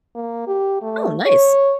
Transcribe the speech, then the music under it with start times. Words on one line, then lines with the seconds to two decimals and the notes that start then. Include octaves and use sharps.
Oh, nice.
0.15 A#3
0.47 G4
0.82 A3
1.26 C#5